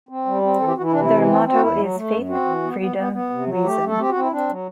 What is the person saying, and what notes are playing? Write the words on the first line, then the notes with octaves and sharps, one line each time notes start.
Their motto is Faith, Freedom, Reason.
C4
G3
C4
E3 A4
G4
E3 F#4
E4
C3 D4
E4
E3
C4
C4
F#4
E2 E4
F#3
A3
F#2
C4 F#4
E3
B3
B3
B3
B3
C3
F#3
A3 G4
A3
A4
C4 G4
C4 F#4
E4
C4 D4
F#3